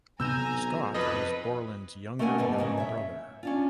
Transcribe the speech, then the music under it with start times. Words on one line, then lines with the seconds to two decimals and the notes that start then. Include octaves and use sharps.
Scott is Borland's younger young brother.
0.20 B1 C3 B3 G#5 A#5 E6 G6 E7
0.94 F2 B4 D#5
2.19 A3 A#3 C#4 A#4 F#5 G#5
2.38 B2 D3 G3 B3
2.58 G#2 C#3 F#3
2.77 C#5 E5
3.43 C#4 D4 F4